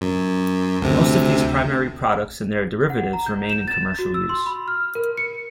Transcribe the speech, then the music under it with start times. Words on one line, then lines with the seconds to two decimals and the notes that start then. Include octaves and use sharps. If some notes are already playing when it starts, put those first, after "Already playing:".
Most of these primary products and their derivatives remain in commercial use.
0.01 F#2
0.82 D2 C3
2.90 F#5
3.13 A#5
3.26 G6
3.49 E7
3.68 A6
3.99 F#4
4.14 E6
4.29 C6
4.46 B5
4.68 F6
4.95 A#4
5.17 C#7